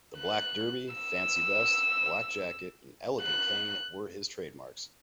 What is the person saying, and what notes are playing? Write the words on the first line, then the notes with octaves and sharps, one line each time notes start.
The black derby, fancy vest, black jacket, and elegant cane were his trademarks.
F#6
E6
F#6